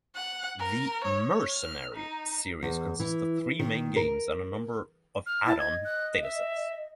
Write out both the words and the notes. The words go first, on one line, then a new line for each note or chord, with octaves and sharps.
The "Mercenary" series consists of three main games and a number of add-on datasets.
F#5
A#4
C#5
F6
D#4
E2
E3
D#3
A#4
F6
E4 A5
D#5 G#6
F#6
E5